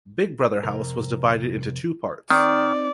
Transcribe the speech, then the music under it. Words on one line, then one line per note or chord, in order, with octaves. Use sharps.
Big Brother house was divided into two parts.
F2 C3 A#4
D#3 C4 D#4 D5